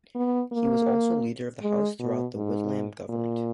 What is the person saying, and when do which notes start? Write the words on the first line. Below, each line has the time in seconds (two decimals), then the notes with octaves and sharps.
He was also Leader of the House throughout the Whitlam government.
0.16 B3
0.52 A#3
1.62 G#3
1.99 B2
2.36 G#2
3.09 A#2